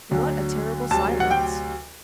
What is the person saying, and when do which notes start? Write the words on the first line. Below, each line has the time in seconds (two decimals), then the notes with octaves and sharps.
What a terrible silence!
0.11 D2 D3 F#3
0.91 D2 C3 F#3 A5
1.20 F#5
1.31 G5